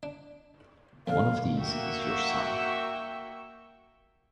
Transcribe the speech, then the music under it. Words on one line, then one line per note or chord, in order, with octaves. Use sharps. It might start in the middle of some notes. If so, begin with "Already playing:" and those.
One of these is your son.
D4
F2 A#2 D3 F5
A#3 F#4 E5 G5 C#6 E6